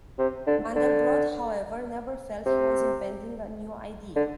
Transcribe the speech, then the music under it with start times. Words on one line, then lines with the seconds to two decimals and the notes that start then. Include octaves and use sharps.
Mandelbrot, however, never felt he was inventing a new idea.
0.18 C3
0.47 D3
0.75 D3
2.46 C3
4.16 D3